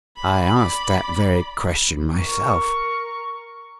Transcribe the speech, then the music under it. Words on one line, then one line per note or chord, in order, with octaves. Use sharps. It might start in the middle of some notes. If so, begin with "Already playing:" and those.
I asked that very question myself.
D5 B5
A#4 C#6